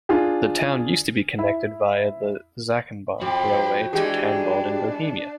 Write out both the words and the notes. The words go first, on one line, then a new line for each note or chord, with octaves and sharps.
The town used to be connected via the "Zackenbahn" railway to Tanvald in Bohemia.
D4 F4 G#4
E4
F2 F#4 G5 B5 C6
E3 G#3 D4 G4 G#4